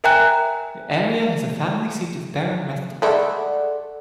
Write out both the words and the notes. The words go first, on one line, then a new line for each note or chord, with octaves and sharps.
The area has the family seat of Baron Rathdonnell.
A#4 E5 G5 G#5 A#5 F#6
G#3 A3 E4 A4 D5 F#5